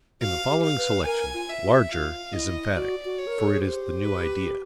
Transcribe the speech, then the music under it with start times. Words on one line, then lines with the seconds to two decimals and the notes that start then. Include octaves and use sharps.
In the following selection, "larger" is emphatic, for it is the new idea.
0.21 F#4 F5
0.49 G4
0.63 F5
0.77 B4
1.05 A#4 G#5
1.34 F4
1.48 E5
1.63 F#4
1.91 F4 F5
2.33 E4 D#5
2.76 F#4 D5
3.05 F#4
3.18 C#5
3.27 A#4
3.39 A4
3.50 G#4
3.61 G4 C5
4.03 B4